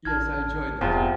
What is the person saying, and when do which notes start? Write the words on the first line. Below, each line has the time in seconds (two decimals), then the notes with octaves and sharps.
Yes, I enjoyed this.
0.05 A1 A5 F6 G#6
0.81 D#1 E2 C3 F3